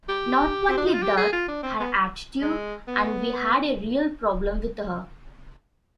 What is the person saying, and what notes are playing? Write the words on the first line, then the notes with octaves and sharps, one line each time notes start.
Not only that, her attitude, and we had a real problem with her.
G4
C4
D4
D#4
F4
G4
G#4
F4
D4
C4
B3
G#3
B3